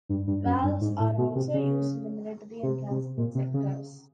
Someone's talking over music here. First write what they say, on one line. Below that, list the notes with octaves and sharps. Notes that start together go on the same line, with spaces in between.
Valves are also used in the military and transport sectors.
G2
G2
F#2
G2
G#2
A2
B2
C3
C#3
C3
C3
A#2
C3
C#3